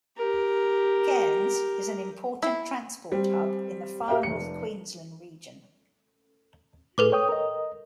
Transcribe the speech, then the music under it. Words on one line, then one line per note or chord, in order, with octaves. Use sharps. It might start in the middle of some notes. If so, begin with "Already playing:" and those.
Cairns is an important transport hub in the Far North Queensland region.
G4 A#4
E4
G3 C4
G4 A#4 E5 F5 G5
F1 C#7
A2 G#4 A4 B4 D6
C#5 G5 D#6
A#4 D#5